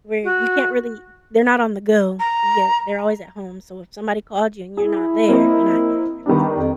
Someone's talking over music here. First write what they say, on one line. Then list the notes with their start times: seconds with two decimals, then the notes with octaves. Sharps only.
where you can't really They're not on the go. Yeah, they're always at home, so if somebody called you and you're not there, you're not getting their call,
0.24 F#4
2.20 A#5
4.77 E4 G#4
5.29 A#3 C4 D#5
6.26 D#3 G3 B3 D4
6.58 F2